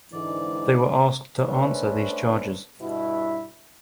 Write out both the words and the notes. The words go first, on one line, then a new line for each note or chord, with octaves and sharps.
They were asked to answer these charges.
G#2 D3 E3 D5
A3 C#4 D4 B4 C5
G2 B2 E4